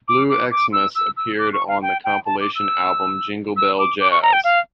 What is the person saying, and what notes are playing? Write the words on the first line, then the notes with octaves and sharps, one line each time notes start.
"Blue Xmas" appeared on the compilation album "Jingle Bell Jazz".
D6
D6
D6
E6
E6
E6
D6
C#6
F5
G5
G5
A5
D6
E6
E6
D6
D6
C#6
A#5
G5
F5